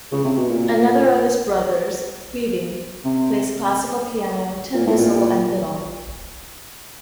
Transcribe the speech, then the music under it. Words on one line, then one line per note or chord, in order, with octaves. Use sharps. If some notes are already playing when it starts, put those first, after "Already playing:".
Another of his brothers, Caoimhin, plays classical piano, tin whistle and fiddle.
C#3
C3
B2
A#2
C3
A#2
A2
A#2